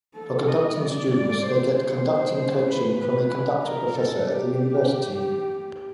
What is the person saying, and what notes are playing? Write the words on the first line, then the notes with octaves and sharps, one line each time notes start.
For conducting students, they get conducting coaching from a conductor-professor at the university.
A4
D#5
D5
D5
C5
C5
B4
B4
A#4
A4
G4